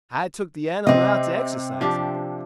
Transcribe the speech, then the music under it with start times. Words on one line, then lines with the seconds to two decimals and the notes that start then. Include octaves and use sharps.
I took the animal out to exercise him.
0.87 C3 C4 D#5
1.81 F3 D4 G4